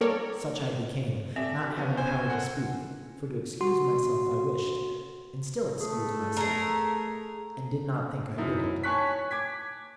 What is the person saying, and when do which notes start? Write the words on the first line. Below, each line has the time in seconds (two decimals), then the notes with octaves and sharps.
Such I became, not having power to speak, For to excuse myself I wished, and still Excused myself, and did not think I did it.
0.01 G3 A#3 A4 A#4 C#5 D5
1.36 C4 G4 A4 D5 E5
1.76 F3 B3 C#4
1.97 C5 G#5
2.26 A4 A#4 F#5
3.61 F#4 C6
5.81 A3 G#4
6.37 G#4 A#4 A#5
8.38 F#2 D#4 E4
8.83 C#5 G#5 A5 C#6 F#6 B6
9.31 D6 G#6 B6